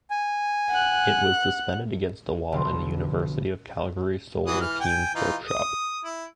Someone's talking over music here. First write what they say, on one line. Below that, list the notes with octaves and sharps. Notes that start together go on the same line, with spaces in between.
It is suspended against a wall in the University of Calgary Solar Team's workshop.
G#5
F#5 F#6
F1 B1 B2 D3 C6
E3 F#3 D#6
E3 F6
G5 G#5
E3 D#4 F4
D#6
E4